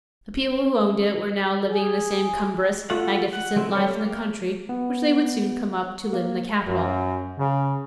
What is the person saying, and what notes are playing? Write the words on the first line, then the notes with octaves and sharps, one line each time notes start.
The people who owned it were now living the same cumbrous, magnificent life in the country which they would soon come up to live in the capital.
G#4
A3 F4 F#4 A4 F#5
F#5
G#3 A3 C4
G3 A4 C#5
A#3 F6
B3
A#3
F#2
C#3